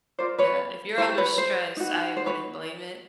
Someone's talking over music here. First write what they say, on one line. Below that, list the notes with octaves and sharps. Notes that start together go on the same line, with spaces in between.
Yeah, if you're under stress, I wouldn't blame it
F4 A#4 C5 D5
B4 C#5
E4 G4 A#4 C5
B4 C#5
C5
D#4 F#4 B4
C5
B4 C#5